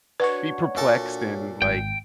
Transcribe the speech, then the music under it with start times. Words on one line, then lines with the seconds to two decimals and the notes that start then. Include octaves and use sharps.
be perplexed and, like,
0.20 D4 F#4 B4 C#5
0.77 A#2 A4
1.62 G#1 G5